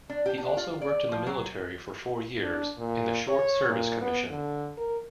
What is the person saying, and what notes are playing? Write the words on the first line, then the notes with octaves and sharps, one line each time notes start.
He also worked in the military for four years in the Short Service Commission.
D4
G4
D4
F4
D5
F3
F#3
D4
A#2
C#5
A#2
B3
D3
A#4